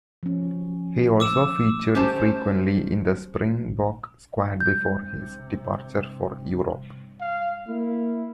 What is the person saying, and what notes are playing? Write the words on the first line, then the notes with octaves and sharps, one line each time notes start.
He also featured frequently in the Springbok squad before his departure for Europe.
F3 C#4
D6 E6 E7
C#4 G4 C5 A5
C3 G6
F5
A#3 E4